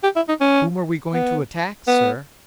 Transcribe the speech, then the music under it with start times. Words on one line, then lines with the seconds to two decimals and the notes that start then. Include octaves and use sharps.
"Whom are we going to attack, sir?"
0.04 G4
0.16 E4
0.28 D#4
0.41 C#4
1.14 B3
1.88 B3